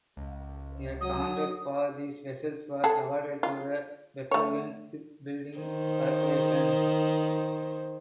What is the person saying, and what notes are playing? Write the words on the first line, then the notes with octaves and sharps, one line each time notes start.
A contract for these vessels was awarded to the Bethlehem Shipbuilding Corporation.
C#2
F#3 D#6
G#4 A4
F4
A3 C#5
D#3 C5